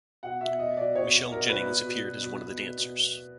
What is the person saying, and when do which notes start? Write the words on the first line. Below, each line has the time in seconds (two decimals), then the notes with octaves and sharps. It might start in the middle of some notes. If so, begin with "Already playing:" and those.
Michele Jennings appeared as one of the dancers.
0.23 B2 F#5
0.41 B2 E5
0.59 B2 D#5
0.77 B2 D5
0.95 B2 C#5
1.14 B2
1.32 B2 A#4
1.49 B2 B4
1.68 B2
1.85 B2
2.04 B2
2.22 B2
2.40 B2
2.58 B2
2.77 B2